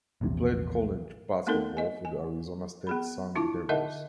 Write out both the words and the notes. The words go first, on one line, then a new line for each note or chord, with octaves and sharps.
He played college basketball for the Arizona State Sun Devils.
A#1 E2 C3
A3 B3 C4 D#4 A4 A#4
D#5 G#5
G#5
B3 G#4 B5
D4 E4 F4 A5 D6
D3 D#4 A#4 D#5 E5 F#5